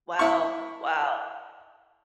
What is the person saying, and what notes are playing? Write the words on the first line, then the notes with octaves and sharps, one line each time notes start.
Wow! Wow!
E4 C#6